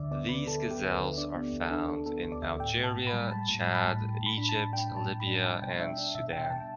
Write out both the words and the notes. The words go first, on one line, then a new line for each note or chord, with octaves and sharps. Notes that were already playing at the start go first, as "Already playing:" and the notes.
These gazelles are found in Algeria, Chad, Egypt, Libya and Sudan.
Already playing: D2 D3 D5 E5
B3 D5
D3 B4
D3 A4
B3
G4
D2
A4
D3
D4 D5
B3
D2
A4
D4
D4 A4
B3 A4
D2
D5
D2 E5
A2 G5
A2
A5
A2
B5
G3
G3 A5
A2
G3
B5
A5
A2
A2
A2
B5
D4
A5
A2
D4 G5
A2
A5
A2
B5
D4
G3 A5
B2 G5
D4 E5
D4
B2 E5
B2 G5
G5
B2 A5